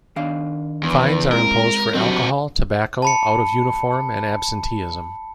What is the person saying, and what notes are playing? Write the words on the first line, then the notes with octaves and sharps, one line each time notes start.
Fines are imposed for alcohol, tobacco, out-of-uniform, and absenteeism.
D#3 D4 F5
E2
G#3 C4 E4 A#4
D3 F#3 G3 C4 F#4
A5 B5 C#7